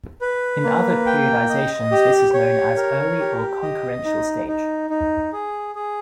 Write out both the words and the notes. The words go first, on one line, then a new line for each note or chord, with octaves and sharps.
In other periodizations this is known as early or concurrential stage.
B4
A#3
G5
D#5
G4
C#5
A#4
G4
D#5
D#4
D#4
D#4
G#4
G#4